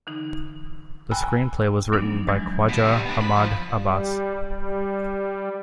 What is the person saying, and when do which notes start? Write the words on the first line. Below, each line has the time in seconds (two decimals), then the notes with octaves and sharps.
The screenplay was written by Khwaja Ahmad Abbas.
0.07 D3 E3 D#4
1.11 G5 G#5 A#5 B5 E6 F#6
1.92 F3 F#3 B3 D4 D#4
2.28 E3 F#3 G#3
2.68 B2
2.84 C3 G3
3.05 B3 D4
3.21 B5
3.36 F3
3.71 G3
4.41 G3